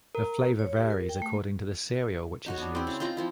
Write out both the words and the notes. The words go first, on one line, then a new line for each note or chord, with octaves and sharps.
The flavour varies according to the cereal which is used.
A#4
C#5
G4
A#4
G5
A3
D#4 F#4 C#5
B3 D4
C4 E4
C#3 C#5
C4 D#4 F4 A#5
F3 C4 E4